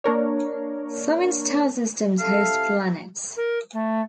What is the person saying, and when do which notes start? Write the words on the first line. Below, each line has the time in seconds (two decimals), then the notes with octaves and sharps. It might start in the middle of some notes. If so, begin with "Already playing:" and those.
Seven star systems host planets.
0.04 A#3 D4 A#4 C#5
2.20 C3 E4 A4 F5
3.36 A#4
3.73 A3